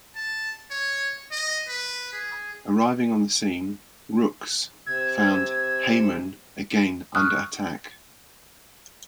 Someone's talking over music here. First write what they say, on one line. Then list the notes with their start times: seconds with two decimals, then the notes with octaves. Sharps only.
Arriving on the scene, "Rooks" found "Hyman" again under attack.
0.16 A5
0.71 C#5
1.32 D#5
1.68 B4
2.13 G#4
4.86 C3 E6 G#6
7.15 C#6 D#6 F6 F#6